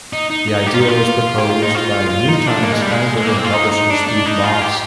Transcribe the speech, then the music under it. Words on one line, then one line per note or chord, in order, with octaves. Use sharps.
The idea was proposed by "New Times" founder and publisher Steve Moss.
D#4
D#4
D#4
G4
F4
D#4
F4
G4
F4
D#4
F4
F4
D#4
D4
A#3
G#3
G3
G#3
G#3
A#3
C4
F4
D#4
D#4
D4
D4
D#4
F4
G4